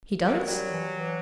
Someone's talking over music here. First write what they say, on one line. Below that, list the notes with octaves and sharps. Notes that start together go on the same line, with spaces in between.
"He does?"
F#2 G3
F#3
E3
F#3 G3
E3
E3